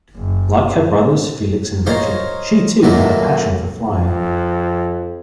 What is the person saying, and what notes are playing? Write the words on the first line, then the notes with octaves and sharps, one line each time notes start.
Like her brothers, Felix and Richard, she too had a passion for flying.
F#1
D#4 A#4 C5 C#5 D#5 F5
D#3 F#3 A3 A#3 E4 B4
F2